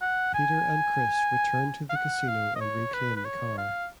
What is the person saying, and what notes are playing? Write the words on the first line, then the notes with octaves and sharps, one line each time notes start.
Peter and Chris return to the casino and reclaim the car.
F#5
G#5
F5
F#5
F5
D#5
C#5
B4
B4
C#5
F5